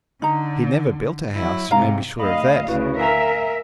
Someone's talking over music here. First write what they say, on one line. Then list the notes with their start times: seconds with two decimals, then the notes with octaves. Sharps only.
He never built a house, you may be sure of that.
0.22 D3 D#4 A#5
1.35 F#3 E4
1.71 G#2 C3 F5 A#5
2.20 D2 D#5 F5 B5
2.68 D2 C#3 E4 F#4 B4
2.99 A#4 E5 F5 G#5 A#5